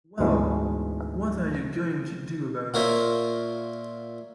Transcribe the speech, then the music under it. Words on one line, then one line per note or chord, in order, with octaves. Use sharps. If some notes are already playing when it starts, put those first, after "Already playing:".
Well, what are you going to do about it?
D2 G#2 E3 G#3 A3 B3
A#2 F4 A#4 C5 C#5 E5